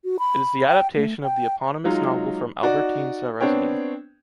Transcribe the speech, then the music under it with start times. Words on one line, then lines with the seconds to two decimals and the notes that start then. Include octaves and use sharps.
It is the adaptation of the eponymous novel from Albertine Sarrazin.
0.04 F#4
0.19 B5
0.67 G5
0.96 A3
1.23 G5
1.85 F#3 G#3 D#4 F4
2.63 D#4 F#4 D5
3.40 B3 C4 D4 C#5 G5